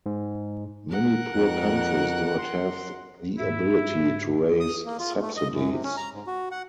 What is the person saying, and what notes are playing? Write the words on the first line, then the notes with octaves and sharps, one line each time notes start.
Many poor countries do not have the ability to raise subsidies.
G#2
A#4 F#5
F2 F#6
C6
G#2 E4 E5
D#6
A#3
F4
A3
D#5
F#2
C3
C#4
A#5
G#2
F#4
F#5